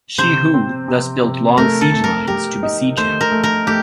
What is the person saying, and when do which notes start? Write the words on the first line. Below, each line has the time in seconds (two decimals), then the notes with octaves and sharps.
Shi Hu thus built long siege lines to besiege him.
0.18 C3 C5
0.54 C4
0.88 C3
1.23 C3
1.57 A3 A#4
1.81 A4
1.92 A3
2.04 A#4
2.27 G4 A#4
2.63 D#4
2.97 A3 C5
3.21 A#4
3.32 A3
3.43 A#4
3.67 A3 G4